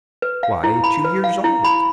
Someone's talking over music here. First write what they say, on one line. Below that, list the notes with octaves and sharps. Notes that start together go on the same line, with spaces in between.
"Why, two years old."
B4
F5
E4
B5
B4
F5
E4
B5